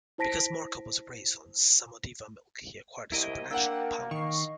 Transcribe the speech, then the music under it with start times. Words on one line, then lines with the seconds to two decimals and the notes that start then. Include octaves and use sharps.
Because Marko was raised on samodiva milk he acquired supernatural powers.
0.18 E4 C5 A5 A#6 B6 D7
3.12 C2 E4 A#4 D#5
3.51 A#3 D4 A#4 F#5 G5 E6
4.11 D#3 D#5 C#6 C7